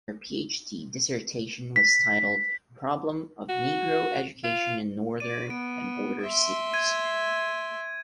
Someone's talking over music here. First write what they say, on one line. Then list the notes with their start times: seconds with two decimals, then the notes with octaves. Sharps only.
Her PhD dissertation was titled "Problem of Negro Education in Northern and Border Cities".
1.76 B6
3.49 F#4
4.44 F4
5.20 D5 D#7
5.50 B3 D7
6.22 E5 C6
6.74 G#6 D#7